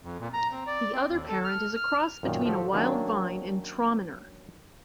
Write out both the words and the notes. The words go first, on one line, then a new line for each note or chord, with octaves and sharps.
The other parent is a cross between a wild vine and Traminer.
F2
A#2
A#5
C4
D5
C4
D#2
A4
F6
F6
F#2 A#2 D#3
F3 F#4 G4 A4
D#3 F#3 A#3 C#4 D4